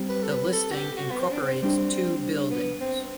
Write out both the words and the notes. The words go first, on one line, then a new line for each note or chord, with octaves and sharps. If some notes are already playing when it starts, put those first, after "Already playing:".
The listing incorporates two buildings.
Already playing: G3 C4 G4
B4
A4
B4
A4
F#4
G4
F#4
B3
C4
D4
C4
G3 C4 D4 G4
B3
C4